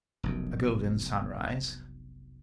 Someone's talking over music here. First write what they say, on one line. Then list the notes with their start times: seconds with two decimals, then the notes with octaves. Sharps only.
A golden sunrise.
0.23 F1 B1 F#2